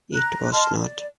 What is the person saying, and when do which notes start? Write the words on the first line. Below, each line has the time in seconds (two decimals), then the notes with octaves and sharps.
It was not.
0.12 A#5 F#6
0.52 D#5 A5 C6 F6
0.81 D5